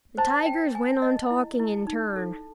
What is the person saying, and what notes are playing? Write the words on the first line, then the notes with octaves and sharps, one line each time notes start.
The tigers went on talking in turn.
C5 A5
G5
G#5
D#5
E4
E4
D#4
A4